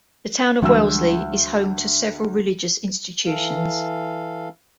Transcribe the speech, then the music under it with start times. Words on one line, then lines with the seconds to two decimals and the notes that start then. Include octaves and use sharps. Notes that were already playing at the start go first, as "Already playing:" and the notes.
The town of Wellesley is home to several religious institutions.
0.62 D2 E3 G3 G#3 E6
3.26 E3 A4 F5